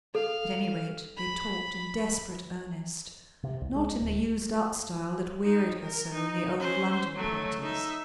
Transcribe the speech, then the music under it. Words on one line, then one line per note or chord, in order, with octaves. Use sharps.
At any rate, they talked in desperate earnest,--not in the used-up style that wearied her so in the old London parties.
A4 F5
B5
C3
C2
G#3
D1
D#4
A#4
D#4
C#4 C5
F#3 A3
D#4 E5